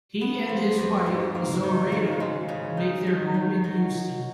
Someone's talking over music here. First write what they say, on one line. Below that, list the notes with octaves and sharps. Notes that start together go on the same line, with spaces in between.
He and his wife, Zoraida, make their home in Houston.
B3
F3
F2
G#2
A#3
D#3
C#3
G#3
C#3
D#4
D#3
D#3
F#3